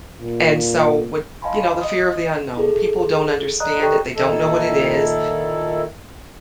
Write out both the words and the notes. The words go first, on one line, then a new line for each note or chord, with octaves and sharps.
And so, with you know, the fear of the unknown, people don't understand it, they don't know what it is.
A#2
D#5 F5 G#5 A5 B5 C6
D#5 D#6
E4 G#4 A4
D5 D#5 A#5 D#6 F#6
G4 A4 C5 G5 C#6
A#2 D#3 D#4 E4 A4